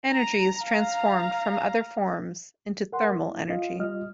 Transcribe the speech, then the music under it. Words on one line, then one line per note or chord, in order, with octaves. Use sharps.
Energy is transformed from other forms into thermal energy.
A#5
F5 A#5
A#4 F#5 C6
E4
F4 D#5 F5
G3 F4 D#5 F6